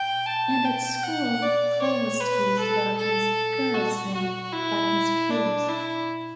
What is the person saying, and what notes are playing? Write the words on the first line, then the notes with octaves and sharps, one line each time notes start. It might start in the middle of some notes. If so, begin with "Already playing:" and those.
And at school, Cole was teased about his "girl's name" by his peers.
Already playing: G5
A5
G5
F#5
D5
C#5
B4
A4
A4
F#4
F#4
E4
D4
E4